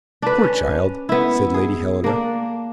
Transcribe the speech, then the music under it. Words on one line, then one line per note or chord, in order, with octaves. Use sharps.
"Poor child!" said Lady Helena.
D4 B4
C#4
B3 E4
G#4
A#3 D4